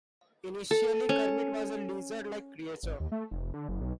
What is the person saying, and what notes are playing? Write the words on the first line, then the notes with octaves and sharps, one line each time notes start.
Initially, Kermit was a lizard-like creature.
A4
C#4
G#1
D#2
A3
F1
D3
F#1
B1